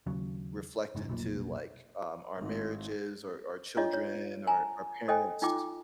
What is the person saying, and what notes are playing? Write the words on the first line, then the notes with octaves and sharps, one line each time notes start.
reflected to like, um, our marriages, or our children, or our parents.
D#2 C#3 F#3
F#1 G#2
F1 B1 A#2
G#1
D4 F4 C#5 D#5
C#5
G#5 A#5
A4 D#5 G5 G#5
D#4 F4 G5 D6